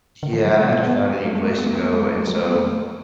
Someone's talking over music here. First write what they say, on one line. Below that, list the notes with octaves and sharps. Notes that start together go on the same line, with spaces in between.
yeah, I had to find a new place to go, and so
D3
E3
F#3
G#3
B3
A3
G#3
A3
B3
A3
B3
A3
G#3
A3
G#3
F#3
A3
B3
A3